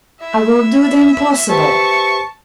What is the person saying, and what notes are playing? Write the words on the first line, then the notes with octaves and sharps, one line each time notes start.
I will do the impossible.
E4 E5
G4 B4 C5 A5 C#6